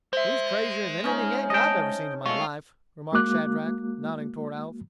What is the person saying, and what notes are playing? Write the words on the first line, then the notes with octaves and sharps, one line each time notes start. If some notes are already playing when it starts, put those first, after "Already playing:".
"He's crazier than any Yank I've ever seen in my life," remarked Shadrack, nodding toward Alf.
G#3 C5 E5
C#4 D#4
D#5 G5 A5
G#3 A3 F4 C#6
G#3 A#3 F#4 D6 F#6